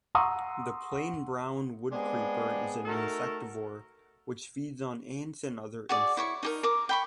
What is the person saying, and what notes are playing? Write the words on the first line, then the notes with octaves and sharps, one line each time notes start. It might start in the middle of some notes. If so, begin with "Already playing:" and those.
The plain-brown woodcreeper is an insectivore which feeds on ants and other insects.
F#5 A#5 C6 C#6 D#6 E6
G#3 B3 C4 D4 G4 G#4
A3 D#4 F#4 A4 A#4
F#4 G#4 D5
E4 C#5 C#6
D#4 G4 A#4
A#4 D6
G5 B5 C#6